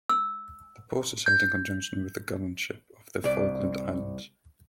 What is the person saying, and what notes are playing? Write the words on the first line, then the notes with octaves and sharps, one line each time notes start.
The post is held in conjunction with the Governorship of the Falkland Islands.
E6
G6
C2 D5